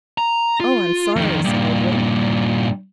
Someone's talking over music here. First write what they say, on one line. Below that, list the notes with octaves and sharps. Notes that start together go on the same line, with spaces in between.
"Oh! I'm sorry," said Edwin.
A#5
F4
F2 D#3
G2 A#2